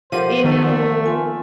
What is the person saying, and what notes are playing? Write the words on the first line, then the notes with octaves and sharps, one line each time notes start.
You know?
F3 G4 A4 A#4 C5 F#5 D#7
D#3 A3
F4 G#5 C6